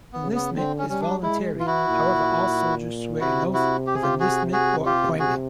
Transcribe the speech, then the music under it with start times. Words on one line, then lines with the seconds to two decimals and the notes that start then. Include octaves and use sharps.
Enlistment is voluntary, however all soldiers swear an oath of enlistment or appointment.
0.13 B3
0.23 C#3
0.35 B3
0.57 D3 C4
0.78 C#4
0.89 G3 C#4
1.01 D4
1.22 G#3 E4
1.56 E3 F4
1.67 E4 F#4
1.89 A#2
3.20 C3 E4 F#4
3.53 E4 F#4
3.87 G4
3.95 G#4
4.02 F4 G4
4.20 F#4 G#4
4.53 F#4 G#4
4.86 F4 G4
5.19 C3 F#4 G#4